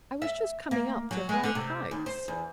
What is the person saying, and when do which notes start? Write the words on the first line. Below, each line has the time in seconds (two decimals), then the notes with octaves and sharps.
"I was just coming up to fly kites."
0.22 E5
0.71 A#3
1.11 F#3
1.29 G#3
1.44 D3
1.55 C3
1.91 D#2
2.06 C5
2.28 E2